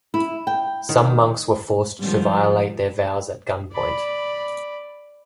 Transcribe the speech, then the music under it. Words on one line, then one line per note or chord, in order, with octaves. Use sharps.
Some monks were forced to violate their vows at gunpoint.
E4
G5
D#3
G#2 D#3 F3 G3
D5 B5